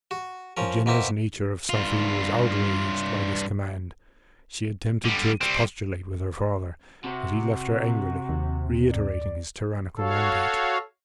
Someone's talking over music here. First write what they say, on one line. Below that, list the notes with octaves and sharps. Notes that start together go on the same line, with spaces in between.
The generous nature of Safie was outraged by this command; she attempted to expostulate with her father, but he left her angrily, reiterating his tyrannical mandate.
F#4
F3 C#4 A#4
B2 A#3 C4 E4
G2 F4
D3 G3
G3 C4
C3 F#4
D#2
D5
F#4 A4 C#5 F5